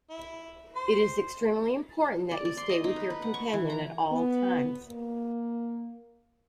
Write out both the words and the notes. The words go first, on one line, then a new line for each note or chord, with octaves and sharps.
It is extremely important that you stay with your companion at all times.
E4
C5 C6
D5
D5
C6
D#5
D#4
B4
B4
F#5
C#6
E3
A#5
B3
A#3